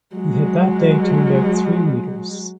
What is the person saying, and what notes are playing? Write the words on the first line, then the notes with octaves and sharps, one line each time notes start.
He had that day turned out three readers.
F#3 G#3